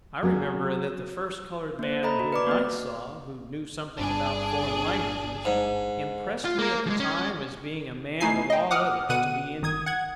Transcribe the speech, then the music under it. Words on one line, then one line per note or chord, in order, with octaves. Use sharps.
I remember that the first coloured man whom I saw who knew something about foreign languages impressed me at the time as being a man of all others to be envied.
F#3 C#4 G#4
A#3 C5
A4 D#5 A#5 B5
F#4
B4 D5 D6
A#3 B3 D#5
G1 G2 D4 G#4
G#2
F4
A#3 A#4
F3 G#3
C#4
A3 D#4 E4 G#5 C7
D#5 G5
F#5 D6 D#6 F6
B2 D3 F#5 D#7
G1 D#3 D#6 G#6
F#5 G#6